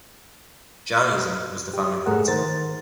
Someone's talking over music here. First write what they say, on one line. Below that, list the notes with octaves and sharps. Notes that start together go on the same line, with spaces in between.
Jann Eason was the founding Principal.
G4
G#2 A3 G#4 A#4 F#5
D#3 A#4 C5 A6